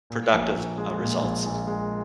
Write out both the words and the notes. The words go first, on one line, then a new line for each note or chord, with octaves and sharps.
productive, uh, results.
A#2
A#1
A#1
G#3
A#2
A#1
A#1
G#3